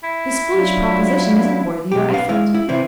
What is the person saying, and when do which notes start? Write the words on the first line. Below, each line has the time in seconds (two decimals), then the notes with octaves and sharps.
This foolish proposition isn't worthy your effort.
0.04 E4
0.53 F#3 D4 F4
1.92 B1 F2 G4
2.13 B3 F5
2.29 G#3 E4 F5
2.54 E4
2.69 C3 E3 C4 E4